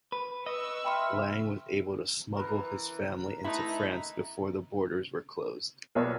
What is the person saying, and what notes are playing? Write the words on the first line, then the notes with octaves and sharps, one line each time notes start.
Lang was able to smuggle his family into France before the borders were closed.
B4
B4 D#5 C#6 E6
E5 G5 B5 C6 F6
E3 A#4 B4
A3 D#4 E4 B4 A#5 C6
B1 B3 A#4 C#5 D5